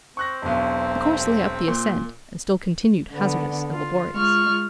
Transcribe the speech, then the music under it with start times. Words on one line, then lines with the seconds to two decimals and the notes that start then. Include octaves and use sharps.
The course lay up the ascent, and still continued hazardous and laborious.
0.17 C4 C#6 F#6 A#6
0.42 E1 B1
1.68 A#2
3.12 D3 B3
3.73 F4
4.13 G#3 F4 C#6 F6